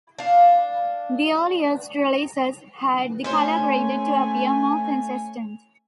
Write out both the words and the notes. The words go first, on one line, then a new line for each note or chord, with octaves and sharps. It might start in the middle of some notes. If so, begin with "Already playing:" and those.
The earliest releases had the colour graded to appear more consistent.
D4 F5
A3 C#4 C5 C#5 G#5